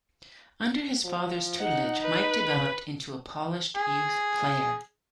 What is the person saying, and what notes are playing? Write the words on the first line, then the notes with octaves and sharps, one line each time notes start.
Under his father's tutelage, Mike developed into a polished youth player.
F3
D#4 F#5
B4
G#4